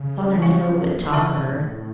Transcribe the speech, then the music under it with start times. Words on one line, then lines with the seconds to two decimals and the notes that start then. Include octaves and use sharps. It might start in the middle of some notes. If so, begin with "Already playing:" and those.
Father never would talk of her.
Already playing: C#3
0.42 F5 G#5 C#6
1.13 C#3 E5 A5 C#6 F6
1.49 A2